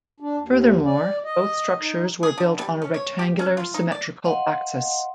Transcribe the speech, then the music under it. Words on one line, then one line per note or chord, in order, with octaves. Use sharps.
Furthermore, both structures were built on a rectangular, symmetrical axis.
D4
D#2
D5
D#5
D#4
G#4
D3
G3
C#4
C#5
G4
C#4
F4
D#4
D5
D#5 F5 F#5 C6